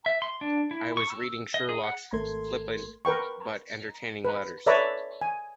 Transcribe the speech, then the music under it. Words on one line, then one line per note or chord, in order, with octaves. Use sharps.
I was reading Sherlock's flippant, but entertaining letters.
E5
C6
D4
E4
C#6
E6
D#5
G#4
F#5
G#1 A3 A4 A#4 C6 G#6
A#4 B4 G5 C#6
B4
A4 B4 C#5 D5 E5 A#5
G#5